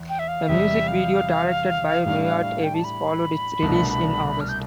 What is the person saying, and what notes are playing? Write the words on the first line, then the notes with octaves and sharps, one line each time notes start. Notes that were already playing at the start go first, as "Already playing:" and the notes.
A music video directed by Meiert Avis followed its release in August.
Already playing: E2
G5
E5
F5
E2 C3 G3 E5
F5
A2 G3 D4
G5
A5
B5
C2 B2 A3 D4
F6
G6